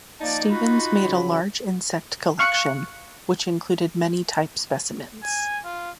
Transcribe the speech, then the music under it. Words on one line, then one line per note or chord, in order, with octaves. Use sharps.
Stephens made a large insect collection, which included many type specimens.
F3 A#3 D#4 D5 A5
F4 F#4 B5
C#3 E3 F#3
F5 C#6 F#6 C#7
G#5
F4